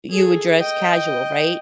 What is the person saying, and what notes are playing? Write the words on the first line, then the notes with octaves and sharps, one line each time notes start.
you would dress casual, right?
G#4 A4
D#5 G5